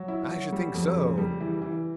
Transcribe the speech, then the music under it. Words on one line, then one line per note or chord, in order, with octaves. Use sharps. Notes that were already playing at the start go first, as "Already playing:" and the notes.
'I should think so!
Already playing: F#3
E4
F#3
G3
F2
C#3
G3
E3
E3